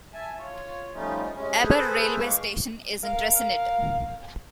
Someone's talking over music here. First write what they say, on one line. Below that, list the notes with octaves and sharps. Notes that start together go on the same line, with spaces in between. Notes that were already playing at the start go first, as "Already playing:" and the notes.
Aber railway station is in Trecenydd.
E5 G#5 A5
F4 C#5
F3 G3 A3 C#4 D#4 F4
C3 G#3 C#4
G#4 A4 B4 C5 B5
E3 G#3 F5 C#6 D6
A#4 F5